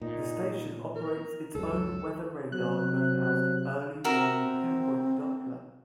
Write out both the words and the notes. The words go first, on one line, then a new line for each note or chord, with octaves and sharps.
The station operates its own weather radar known as "Early Warning Pinpoint Doppler".
A#2 D#4
A#4
C#2 F#2 A4
C3 F#3 F#6
C4 F#4 A#4 E5